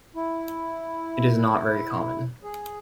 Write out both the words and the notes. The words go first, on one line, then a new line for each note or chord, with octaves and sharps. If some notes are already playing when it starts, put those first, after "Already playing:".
It is not very common.
E4
G#4